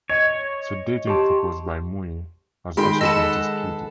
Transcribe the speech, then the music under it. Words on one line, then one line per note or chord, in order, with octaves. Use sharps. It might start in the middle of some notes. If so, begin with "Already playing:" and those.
The dating proposed by Muir has also been disputed.
C#5 D#5 C#7
G4 A5 C6 C#6
D#3 G#3 G5 B5 C6
A4 B4 D#5 F#5 A5